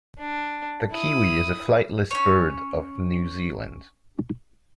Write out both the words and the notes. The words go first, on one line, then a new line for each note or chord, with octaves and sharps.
The kiwi is a flightless bird of New Zealand.
D4
E4 D#6
C#4 C#5